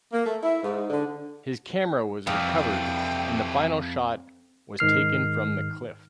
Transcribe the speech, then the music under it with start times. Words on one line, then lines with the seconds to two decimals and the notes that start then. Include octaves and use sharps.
His camera was recovered and the final shot was taken from the cliff.
0.13 A#3
0.26 A3
0.43 E4
0.64 G#2
0.90 D3
2.27 C2 F2 E3 G5
4.79 G#2 D#3 F6 C7